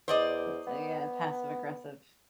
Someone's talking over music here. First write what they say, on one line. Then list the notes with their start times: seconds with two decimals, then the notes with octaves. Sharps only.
It's a, uh, passive aggressive
0.08 E2 C5 D5 D#5
0.67 B3